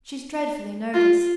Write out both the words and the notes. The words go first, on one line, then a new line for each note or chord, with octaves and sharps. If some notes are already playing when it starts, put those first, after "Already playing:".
She's dreadfully nervous.
F4